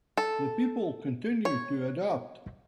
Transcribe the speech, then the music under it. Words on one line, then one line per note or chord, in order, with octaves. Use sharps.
The people continued to adapt.
A4
C#5